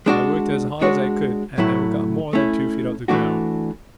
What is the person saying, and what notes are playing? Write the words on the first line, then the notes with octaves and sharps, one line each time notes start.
I worked as hard as I could, and never got more than two feet off the ground.
G#3 D4 F#4
G#3 D4 F#4 C#5
A2 F#3 A3 E4
A3 C#4 E4
E3 A3 D4 F#4